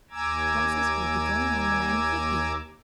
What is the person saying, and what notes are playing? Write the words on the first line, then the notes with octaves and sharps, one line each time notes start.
The process will be going on when I am fifty.
D#2 G#5 A#5 D6 E6 G#6